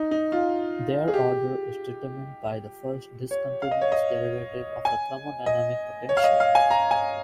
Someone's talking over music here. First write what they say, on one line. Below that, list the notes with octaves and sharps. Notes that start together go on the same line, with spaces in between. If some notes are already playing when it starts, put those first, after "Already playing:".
Their order is determined by the first discontinuous derivative of a thermodynamic potential.
Already playing: D#4
D#4
F4
G#4
G4
C#5
F5
D#5
C#5
D#5
G#5
D#5
C#5
F5
D#5
F5
G#5
A#5
G#5